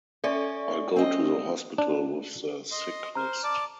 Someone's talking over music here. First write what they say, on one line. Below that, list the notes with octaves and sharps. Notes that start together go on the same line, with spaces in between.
I'll go to the hospital with the sick-list.
C#4 A4 D5 E5 C#6
C4 C#4 D#5
D4
D#5 C6
C5 A#5 F6
D5 A5 D6